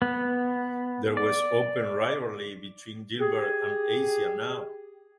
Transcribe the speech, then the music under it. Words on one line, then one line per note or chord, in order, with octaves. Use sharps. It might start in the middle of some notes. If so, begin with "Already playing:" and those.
There was open rivalry between Gilbert and Asia now.
B3
D5
G4 G#4